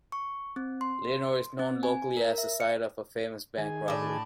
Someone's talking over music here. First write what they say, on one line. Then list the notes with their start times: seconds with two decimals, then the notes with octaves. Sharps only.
Leonore is known locally as the site of a famous bank robbery.
0.12 C#6
0.56 C4
0.81 C6
1.59 C4
1.83 G#5
2.17 A#4
2.38 E5
2.60 C#7
3.58 D#3 G#4 G#5
3.88 A2 D4